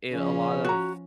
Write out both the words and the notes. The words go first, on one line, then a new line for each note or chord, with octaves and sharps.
it a lot of
C#3 F3 C#4
F#4 A#5